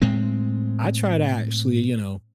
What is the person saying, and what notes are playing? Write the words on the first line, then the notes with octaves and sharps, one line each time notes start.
I try to actually, you know,
A2 G#3 C4